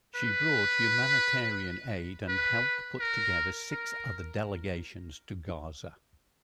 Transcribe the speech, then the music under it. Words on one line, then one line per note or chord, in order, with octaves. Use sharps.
She brought humanitarian aid and helped put together six other delegations to Gaza.
B4
B4
A#4
A#4